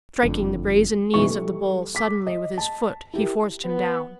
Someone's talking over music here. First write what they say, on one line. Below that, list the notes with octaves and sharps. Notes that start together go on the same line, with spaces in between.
Striking the brazen knees of the bull suddenly with his foot he forced him down.
F#1 F2 D3 A3
F#1 B2 E3 D#4 C#6
G3 A4
D6 B6
D#5
A5
E4 G4 A#4
B3